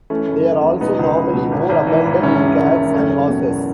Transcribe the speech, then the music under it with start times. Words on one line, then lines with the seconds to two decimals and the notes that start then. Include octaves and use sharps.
They are also normally more abundant in cats and horses.
0.10 E3 A3 C#4
0.28 F#1
0.46 C#3
0.64 E2
0.81 B2 B3 D#4
0.99 C#2
1.17 C#2
1.34 B2
1.52 G#1
1.69 G#1
1.87 E3
2.05 G#2
2.22 E1 C#4 E4
2.41 E1
2.59 D#3
2.75 D#2
2.93 F#1 A3 C#4
3.11 F#1
3.29 B2
3.47 E2